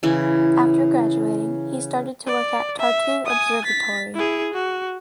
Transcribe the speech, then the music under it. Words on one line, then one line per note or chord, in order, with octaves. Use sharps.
After graduating he started to work at Tartu Observatory.
C#3 E3 E4
D5
E5
G#5 D#6
A6 B6
E4 G#4
F#4